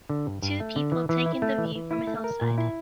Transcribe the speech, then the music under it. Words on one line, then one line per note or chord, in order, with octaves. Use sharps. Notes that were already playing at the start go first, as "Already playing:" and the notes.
Two people take in the view from a hillside.
D3
G2
G2
A3
D3
E3
E3
E4
A3
E3
E3
E4
A3
A#4
A#2
E4